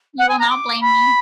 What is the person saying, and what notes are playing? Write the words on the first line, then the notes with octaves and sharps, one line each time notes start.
You will not blame me.
F#5
G#5
A#5
D6
B5